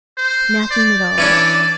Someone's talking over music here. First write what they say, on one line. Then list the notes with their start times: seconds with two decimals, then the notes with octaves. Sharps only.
Nothing at all.
0.18 C5
0.71 D5
1.18 E3 C#4 D4